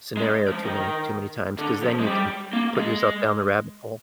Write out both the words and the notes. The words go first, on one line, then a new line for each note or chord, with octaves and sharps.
scenario too many too many times 'cause then you can put yourself down the rabbit hole.
G#3
F3
D#3
D3
F3
G#3
G3
A#3
G#3